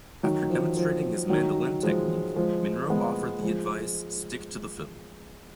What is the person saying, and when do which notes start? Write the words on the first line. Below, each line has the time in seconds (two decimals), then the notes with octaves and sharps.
After demonstrating his mandolin technique Monroe offered the advice: "stick to the fiddle".
0.23 D#3 F#3
0.50 F3
0.77 F3
1.30 D#3 F#3
1.83 F3 G#3
2.36 F3 G#3
2.90 G#3 B3
3.43 F3 G#3